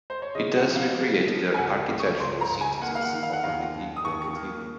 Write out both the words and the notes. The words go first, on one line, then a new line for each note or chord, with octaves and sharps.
He thus recreated the architectural synthesis of a medieval cathedral.
C5
C#5
C#3 D#5
F#5
F3
F5
C#3
F3
G#5
C#2 F#5
C#2
C#6
C#2 C6
A#5
C#2
G#5
A#3 F#5
F5
F#5
D#3
F5
F#5
D#2 F5
D#2
D#6
D#2 C#6
A#3